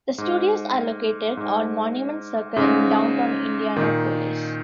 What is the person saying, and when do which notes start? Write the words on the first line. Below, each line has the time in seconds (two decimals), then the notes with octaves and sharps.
The studios are located on Monument Circle in downtown Indianapolis.
0.18 G#2
1.37 G#2
2.56 G#2 C#3
3.76 A#2 D#3